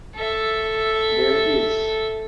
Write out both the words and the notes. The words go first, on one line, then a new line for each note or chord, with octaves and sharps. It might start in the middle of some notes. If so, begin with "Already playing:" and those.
There is.
A4 E5